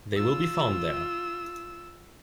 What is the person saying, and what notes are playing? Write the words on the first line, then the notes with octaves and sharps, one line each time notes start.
They will be found there.
F4 E6